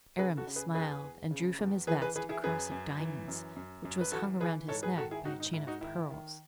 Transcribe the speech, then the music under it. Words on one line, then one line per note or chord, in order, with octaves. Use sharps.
Aramis smiled and drew from his vest a cross of diamonds, which was hung around his neck by a chain of pearls.
C#3 G#4 B4
F#4 A4
C#3
G#4 B4
E2 G#4 B4
E2
C#3
E2
E3 G#4 B4
G#4 B4
E3 G#4 B4
E4 G#4
F#2 G#4 B4
F#2
E3
F#2
F#2
F#2
B4
E3 F#4 A4
E3 G#4 B4
G#2 A4 C#5
G#4 B4
D#3 F#4 A4
E4 G#4
G#2 D#4 F#4
D#4
G#2 E4
D#4 F#4
D#3 E4
D#3